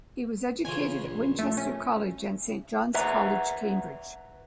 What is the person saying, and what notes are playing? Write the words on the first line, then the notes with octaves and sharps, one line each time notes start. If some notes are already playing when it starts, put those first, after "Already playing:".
He was educated at Winchester College and Saint John's College, Cambridge.
A1 C#3 F4 G#5
A#1
A3
C#4
B4 E5 F#5 A#5